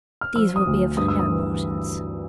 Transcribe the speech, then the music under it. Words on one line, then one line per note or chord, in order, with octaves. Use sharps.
These will be of no importance.
F6
F3 E6
D#6
D2
G2 D#6
E6
D#6
E3